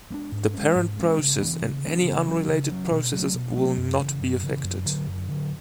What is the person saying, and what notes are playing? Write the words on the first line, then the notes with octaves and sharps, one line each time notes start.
The parent process and any unrelated processes will not be affected.
G#3 B3 D4
G#2
G#3 C#4
G#2
G#3 C#4
C#3
E3 B3 D4
C#3
E3 B3 D4
C#3
F#3 C#4
C#3
F#3 C#4
B2
F#3 A3
B2
F#3 A3
F#2
C#3 E3
F#2
C#3 E3
F#2
D3 F#3
F#2
D3 F#3